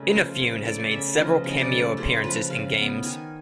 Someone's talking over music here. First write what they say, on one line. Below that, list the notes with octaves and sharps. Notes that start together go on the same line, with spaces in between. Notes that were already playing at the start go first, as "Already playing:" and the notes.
Inafune has made several cameo appearances in games.
Already playing: C#3 A3 D#5
F3 C5
C#3 C#5
A3 D5
C#3 E5
F3 D#5
C#3 D#5
D5
A3
C#3 C5
F3 B4
C#3 F5
B3
D#3 G#5